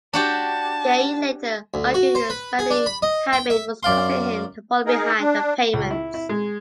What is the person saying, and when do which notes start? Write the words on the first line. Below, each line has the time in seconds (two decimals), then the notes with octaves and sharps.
Gaye later argued his spending habit was causing him to fall behind on payments.
0.13 D4 F#4 G4 A5
1.74 D2
1.94 F#4
2.15 C5
2.30 B4
2.59 G#4
2.70 D4
2.86 B5
3.02 D#5
3.33 G5
3.50 E5
3.83 F#2 D5 F5 C6
4.86 D#4 G#4 A#4
5.19 D4
5.73 C#2
5.91 E4
6.14 E4
6.29 G#3